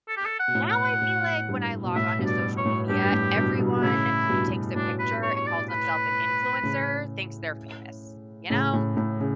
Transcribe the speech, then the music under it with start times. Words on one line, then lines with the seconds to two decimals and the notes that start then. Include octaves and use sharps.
Now I feel like when I log on to social media, everyone who takes a picture and calls themself an influencer thinks they're famous. You know?
0.09 A4
0.17 G4
0.25 A4
0.39 F#5
0.48 B2
0.55 A2
0.70 F#5
1.01 A2
1.49 G2
1.84 B2
1.96 A2 E5
2.19 G2 B2
2.26 D5
2.57 C#5
2.65 A2
2.89 G2 G4
3.05 G2
3.12 A2
3.36 G2 B2
3.59 G2 B2
3.76 B2
3.82 A2 C#3 E4
4.29 G2 B2
4.76 A2 D4
4.99 B4
5.23 C#5
5.36 C#5
5.46 D5
5.70 B4
6.63 A2 C#3
8.50 A2 C#3
8.73 A2
8.97 A2
9.20 C#3